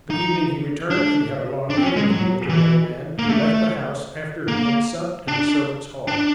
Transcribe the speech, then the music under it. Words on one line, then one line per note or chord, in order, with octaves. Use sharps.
The evening he returned he had a long interview with the young man, who left the house after he had supped in the servants' hall.
D#4
D4
D4
C4
C#4
G#3
F#3
E3
A#3
A3
A#3
D4
D4